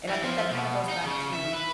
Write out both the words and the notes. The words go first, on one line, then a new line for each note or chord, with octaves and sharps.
and, I think that, kinda goes back to
E3
F3
B2
D#4
C#3
E5
B4